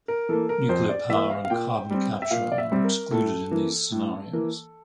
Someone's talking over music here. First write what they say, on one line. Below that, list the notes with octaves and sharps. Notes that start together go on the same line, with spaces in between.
Nuclear power and carbon capture are excluded in these scenarios.
A#4
E3 A#3 A4
A#4
F2 C5
D5
E3 A#3 E5
F5
F5
A#2 G5
G3 C4
E5
A#2 F5
D5
E5
G3 C4
A#4
A2 A4
E3 A#3
A2
E3 A#3